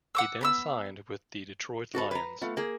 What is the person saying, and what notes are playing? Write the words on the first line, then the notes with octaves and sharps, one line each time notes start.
He then signed with the Detroit Lions.
F#5 D6 E6
B3 B5 E6
F#4 A4 B4
B4 A#5
A3 B3 F4
A#3 G#4